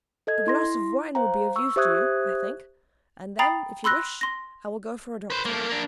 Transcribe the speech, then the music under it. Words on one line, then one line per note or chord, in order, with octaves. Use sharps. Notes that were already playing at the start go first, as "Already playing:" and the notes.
"A glass of wine would be of use to you, I think, and then, if you wish, I will go for a doctor."
A4 D#5 G#6
E4 C6 A#6
C5 F5 G5 A#5
C#6 E6
G4 C5 E5 D#6 F#6 G#6
G5 A#5 B5 D#6 A6 C7
B5 C6 E6 F#6 A#6
C6 A#6
B4 C5
A3 A#3
A#3 D4